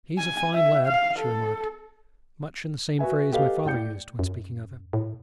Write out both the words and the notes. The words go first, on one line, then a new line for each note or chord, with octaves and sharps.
"He's a fine lad," she remarked, much in the same phrase my father used when speaking of him.
G#5
E5
F5
A4
F#4 B4 E5 G#5
G4 A4 B4 D#5 F5
A2 D5 G5 G6 C#7
F#2
A2